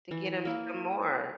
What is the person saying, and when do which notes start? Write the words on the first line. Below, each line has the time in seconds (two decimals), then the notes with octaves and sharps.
to get 'em some more.
0.11 E3
0.45 A#3 E4